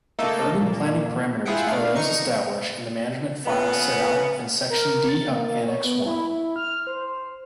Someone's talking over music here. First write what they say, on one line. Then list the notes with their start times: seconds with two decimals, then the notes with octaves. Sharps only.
The urban planning parameters are those established in the management file set out in section D of Annex I.
0.19 A3 A#3 D#4 A4
0.61 A#2
1.45 E4 F4 G#4 E5 F#5 G5
1.67 A3 D4 F5
1.95 D#4 C#6 C7 C#7
3.46 C#3 F3 B3
4.70 A#4
5.09 A6
5.30 A#3
5.46 A#3
5.66 C#5
5.84 B3
6.06 E4
6.56 F6
6.87 C5